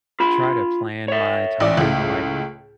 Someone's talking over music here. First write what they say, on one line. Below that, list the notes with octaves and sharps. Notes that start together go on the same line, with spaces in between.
try to plan my time, like,
F4 B5
C#5 E5
A1 D5
C#2 A2